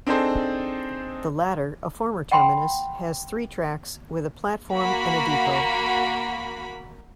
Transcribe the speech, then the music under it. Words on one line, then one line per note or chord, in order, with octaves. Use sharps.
The latter, a former terminus, has three tracks with a platform and a depot.
C4 D4 D#4 G#4 A4 C5
F#5 G5 B5 C6
A#3 F#4 B5